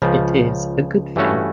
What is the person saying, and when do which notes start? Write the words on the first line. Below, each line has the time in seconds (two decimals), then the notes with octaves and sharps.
It is a good thing.
0.02 C#2 C#3 F3
1.16 G2 E3 A3 C#4 F#4